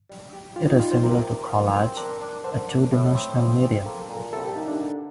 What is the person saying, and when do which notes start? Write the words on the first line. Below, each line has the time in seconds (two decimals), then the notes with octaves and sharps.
It is similar to collage, a two-dimensional medium.
0.09 G3
0.33 G4
0.56 F4 G4
0.68 D#4
0.80 G3 F4
0.91 C5
1.03 C3 A#4
1.27 G4
1.50 F3
1.74 C4
1.97 D4 A#4
2.21 D4
2.44 D3 C5
2.68 D4
2.92 A2
3.15 C4
3.39 F3
3.62 C4
3.85 A#3 A4
4.01 A4
4.09 A#2
4.17 A#4
4.33 C2 A4
4.44 G4
4.56 A#3 D#4
4.68 D4
4.79 D3